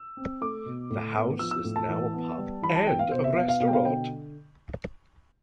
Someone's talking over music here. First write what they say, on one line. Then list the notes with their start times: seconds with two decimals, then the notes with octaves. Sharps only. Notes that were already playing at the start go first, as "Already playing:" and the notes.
The house is now a pub and restaurant.
Already playing: E6
0.17 C4
0.41 A3 D6
0.66 B2
0.90 A2
1.15 B3
1.39 F3 E6
1.51 E6
1.64 A2
1.76 A5
1.88 E3
2.13 B3
2.38 G3
2.62 E3 B5
2.76 A5
2.87 B3 G5
2.99 F5
3.12 B2 C5
3.24 E5
3.36 B3 F5
3.48 F5
3.60 B2 F5
3.68 G5
3.73 F5
3.85 D3 G5